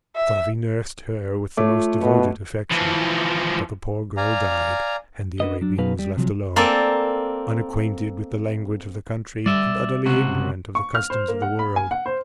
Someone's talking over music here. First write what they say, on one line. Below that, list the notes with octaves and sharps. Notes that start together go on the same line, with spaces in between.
Safie nursed her with the most devoted affection, but the poor girl died, and the Arabian was left alone, unacquainted with the language of the country and utterly ignorant of the customs of the world.
E5
A3 F4 C#5 D6
B2 B3 D#5
E3 F3
D5 F5 G#5 A#5
D4 F#4 B4 D#5
F#3 D4
B2 F#3 D#4 G#4 B4 F5
G3
C3 F3 F#3
A#3 C4 A4 D5 G#5 A5
G3 D5 E5
C#2 C3 F#4
C#6
F6
C5
A#3
F#5
B5
G#5
F#5
C5